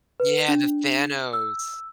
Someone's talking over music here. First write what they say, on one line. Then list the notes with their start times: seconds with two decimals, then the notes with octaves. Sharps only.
Yeah, the Thanos.
0.20 B4
0.48 D4
1.33 E6